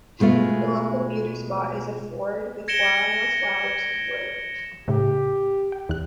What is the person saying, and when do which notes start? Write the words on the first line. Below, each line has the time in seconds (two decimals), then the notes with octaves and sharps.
The local beauty spot is a ford with wild flowers and a wood.
0.20 B2 G#3 A3 F4
2.68 G#6 A#6 C#7 D7 E7 G7
4.88 A2 C#3 G4
5.72 G5
5.89 E2 F#6